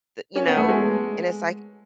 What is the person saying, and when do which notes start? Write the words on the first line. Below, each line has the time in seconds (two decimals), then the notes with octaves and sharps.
Th You know? And it's like
0.36 C#4
0.47 B3
0.57 A3
0.68 G#3